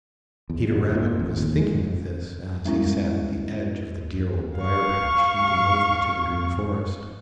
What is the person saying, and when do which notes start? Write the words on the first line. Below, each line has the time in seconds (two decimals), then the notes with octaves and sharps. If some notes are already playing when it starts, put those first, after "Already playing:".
Peter Rabbit was thinking of this as he sat at the edge of the dear Old Briar-patch, looking over to the Green Forest.
0.50 E2
0.70 D3
0.95 A#2
1.19 A1
1.36 D#2
1.57 G#3
1.70 E1
2.65 G3 G#3 B3 C#4 E4
4.59 F5 C#6